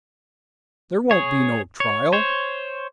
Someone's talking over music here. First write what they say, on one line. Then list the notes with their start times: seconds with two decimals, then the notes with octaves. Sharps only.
There won't be no trial.
1.11 G#4 C#5
1.80 C#5
2.13 C5 C#5